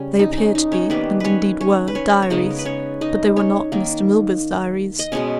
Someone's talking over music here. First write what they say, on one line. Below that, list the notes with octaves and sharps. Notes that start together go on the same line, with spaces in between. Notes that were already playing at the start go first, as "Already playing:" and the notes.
They appeared to be, and indeed were, diaries, but they were not Mr. Milburgh's diaries.
Already playing: C#3 G3 C#4 G4
D#4
C#4 D#4
D#4
C#4 C#5
D#3 G3 A#3 B3 B4
C#4 B4 C#5
C#4 C#5
B4
C#4 C#5
C#5
C#3 G#3 B3 D#4 D#5
A#4
B4
C#4 C#5
D#4 D#5
C#4 C#5
D#3 A#3
D#5
B2 G#3 B3 C#4 C#5